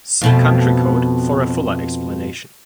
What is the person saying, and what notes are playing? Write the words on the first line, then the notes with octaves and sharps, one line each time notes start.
See country code for a fuller explanation.
F2 B2 A3